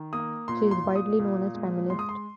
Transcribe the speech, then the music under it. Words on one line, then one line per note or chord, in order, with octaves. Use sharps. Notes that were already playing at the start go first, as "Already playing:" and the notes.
She is widely known as a feminist.
Already playing: D#3
A#3 D#6
A#2 C6
C6
A#2
D#6
A#2
G#3
G#3 C6
D#6
C6